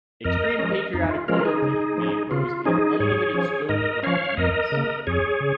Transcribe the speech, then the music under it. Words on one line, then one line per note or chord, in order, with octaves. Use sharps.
Extreme patriotic loyalty may impose an unlimited scope of duties.
F2 A#4 D#5
F3 G#3 C#4
F2 D#4
F4
F3 G#3 C#4 F4 A#4
D#4 G#4
C#3
F3 C#4
C#3 F4
F3 C#4 D#4 G#4
G#2 G#4 C#5
F3 C#4
G#2 A#4 D#5
F3 C#4 C#5 F5
F2 A#4 D#5
C#3
A#3
F2 G#4 C#5
C#3